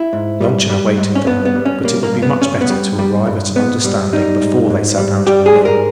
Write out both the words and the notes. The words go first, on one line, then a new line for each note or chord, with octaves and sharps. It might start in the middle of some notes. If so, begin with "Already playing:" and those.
Luncheon awaited them, but it would be much better to arrive at an understanding before they sat down to the meal.
Already playing: E4
G#2
G3
G3
G#2
C#4
G2 B3
B3
G3
C#4
G3 A#3
A#3
G2
B3
G2 C#4
B3
G3
G3
G2
G#2 B3
G3
G3 D#4
G#2
G#2
G3
G3 G4
G#4
G#2
A#4